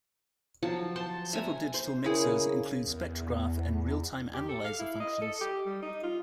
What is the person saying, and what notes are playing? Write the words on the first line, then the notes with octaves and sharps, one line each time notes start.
Several digital mixers include spectrograph and real time analyzer functions.
F3 F#3 A5
C5 A5 C6
E5 G#5 A#5
C5
C#3 E4 G#4 A#4
E2
G4
A4
F5
E4
D#5
A4
G4
G3
D#4
F4